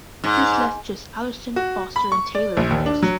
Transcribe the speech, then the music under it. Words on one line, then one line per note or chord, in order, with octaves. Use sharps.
This left just Allerston, Foster and Taylor in post.
G#2
F#4
B5
C#6
D5
A#1
D#2
D4
F#3